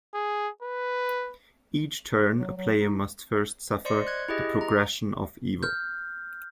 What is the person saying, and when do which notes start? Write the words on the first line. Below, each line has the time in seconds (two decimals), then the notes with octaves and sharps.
Each turn a player must first suffer the "progression of evil".
0.14 G#4
0.62 B4
2.36 F#3
2.57 F#3
2.79 D#4
3.85 C5 D5 D#5 C6 C#7
4.07 F#6 G#6
4.28 E4 G4 G#4 D#5
4.61 A#5
5.63 F6 G6